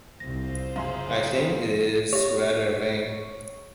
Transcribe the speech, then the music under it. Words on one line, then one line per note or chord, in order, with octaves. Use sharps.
I think it is rather vain.
C2 C3 F4 C5 A#6
F#2 C#3 G#4 F5 C6
G4 C#5 E5